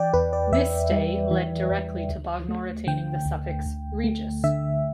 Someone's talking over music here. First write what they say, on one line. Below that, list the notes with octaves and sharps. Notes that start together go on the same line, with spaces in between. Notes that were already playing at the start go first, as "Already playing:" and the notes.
This stay led directly to Bognor attaining the suffix 'Regis'.
Already playing: E3 D5 G5
E2 B4
D5
E2 E5
G3
E3
E2
D2
A3
D3 G5
D2
D2
A3
D3 E5